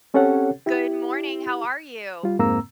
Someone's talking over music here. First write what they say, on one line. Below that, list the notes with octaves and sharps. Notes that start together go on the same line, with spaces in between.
Good morning. How are you?
C4 C#4 G4 A4 C#5 F#5
E4 G4
G3 F4
F2 G#2 A#3 C4 A#5 E6